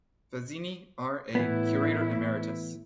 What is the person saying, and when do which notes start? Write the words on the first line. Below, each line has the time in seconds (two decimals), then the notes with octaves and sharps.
Fazzini, R. A., curator emeritus.
1.35 A2 E3 B3 E4